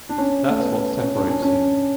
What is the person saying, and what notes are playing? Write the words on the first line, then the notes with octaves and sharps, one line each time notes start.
That's what separates him.
D4
C#4
A3
B3
C#4
D4
C#4
C#4